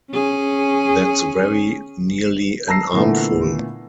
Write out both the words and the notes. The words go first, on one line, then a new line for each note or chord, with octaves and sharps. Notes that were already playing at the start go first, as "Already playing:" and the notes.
That's very nearly an armful!
C#4 G#4
A5 A#5 E6 A#6 C7
A#2 D3 E3 A3 B3